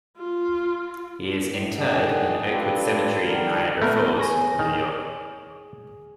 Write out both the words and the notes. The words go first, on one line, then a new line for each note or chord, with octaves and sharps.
He is interred in Oakwood Cemetery in Niagara Falls, New York.
F4
A2
D#3 D4 G#4 D#5 F#5
C4 D4 F4 G4 A4 B4
D3 D#3 G3 A#4
A3 B3 A#4 B5 F#6
G#4 C#5 C#6 A#6
D#3